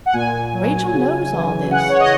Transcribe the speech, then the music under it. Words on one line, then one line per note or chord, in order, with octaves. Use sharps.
Rachel knows all this.
F#5
A#2 G#5
F#3
C#3
E3
C#3 F#5
C#5
D#5